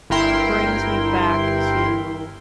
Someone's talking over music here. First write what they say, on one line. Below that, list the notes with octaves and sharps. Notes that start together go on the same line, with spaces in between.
brings me back to
G1 G2 E4 A#4 G5 C6